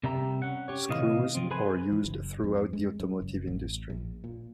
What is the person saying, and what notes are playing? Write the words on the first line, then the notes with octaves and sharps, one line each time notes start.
Screws are used throughout the automotive industry.
C3 G3 G4 A#4 E5 A#5
C#4 F#5
C#4 G4 C#5
A2 C3 D#3 E3 D#5 F5
C3 F3 C4
G#4 A4 B4 C5 G#5
E3
F#1
F2
G#3
F#2
F#1
A1
A#1
A#2